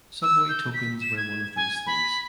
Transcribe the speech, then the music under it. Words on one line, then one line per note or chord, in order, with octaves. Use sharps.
Subway tokens were one of those things.
E6
G6
B6
E7
G#6
G#5
B5